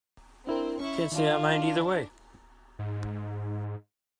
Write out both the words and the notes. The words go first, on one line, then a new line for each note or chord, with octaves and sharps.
Can't say I mind either way.
C4 D4 E4 A#4
C#4 E4 C#6
D#3 D4 F4
G#2